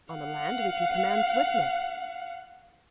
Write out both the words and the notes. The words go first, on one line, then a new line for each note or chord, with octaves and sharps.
On the land we can command swiftness.
F5 F#5